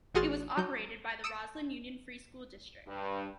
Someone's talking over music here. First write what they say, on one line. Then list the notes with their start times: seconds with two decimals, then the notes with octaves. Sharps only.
It was operated by the Roslyn Union Free School District.
0.15 A1 F#4 G#4 C6 F6 A6
0.57 F#3 G6
1.24 D#6 E6 C#7 D7 E7
2.86 G2